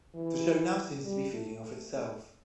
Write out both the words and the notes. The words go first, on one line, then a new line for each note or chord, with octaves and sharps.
The show now seems to be feeding off itself.
E3
G3
A3
A3
A3